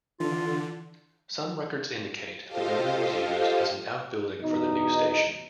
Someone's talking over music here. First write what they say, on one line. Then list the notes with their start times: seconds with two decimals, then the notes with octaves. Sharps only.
Some records indicate the building was used as an outbuilding for the new station.
0.20 D3 E3 F4
2.46 F4 G4 A4 C5 D#5 F5
4.42 E2 B2 D#4